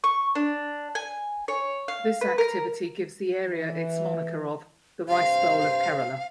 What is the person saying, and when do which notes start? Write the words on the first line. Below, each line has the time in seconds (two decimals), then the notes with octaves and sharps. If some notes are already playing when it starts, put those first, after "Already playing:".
This activity gives the area its moniker of "The Rice Bowl of Kerala".
0.04 C#6
0.35 D4
0.95 G#5
1.48 C#5
1.88 F5
2.21 B4
2.38 A#4
3.49 E3
5.08 G2 C3 C5 F5